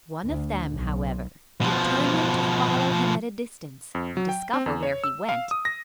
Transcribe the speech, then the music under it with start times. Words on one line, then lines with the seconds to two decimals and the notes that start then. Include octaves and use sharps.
One of them, however, determined to follow him at a distance, and discover where he went.
0.24 D2
0.71 B1
1.61 B2 F3
3.95 F2
4.17 F#3
4.29 G5
4.53 C4
4.66 E2
4.83 C#5
5.04 E6
5.29 F5
5.51 D#6
5.65 A#6